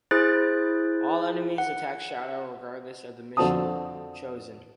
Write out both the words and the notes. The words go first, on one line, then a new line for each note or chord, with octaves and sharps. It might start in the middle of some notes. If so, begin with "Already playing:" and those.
All enemies attack Shadow regardless of the mission chosen.
E4 G#4 C5 F#6 A6
F#5
F2 D3 C4 F#4 A5 D#6